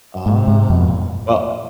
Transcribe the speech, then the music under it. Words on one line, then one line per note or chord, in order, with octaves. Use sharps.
Oh, well
G#2
G#2
F2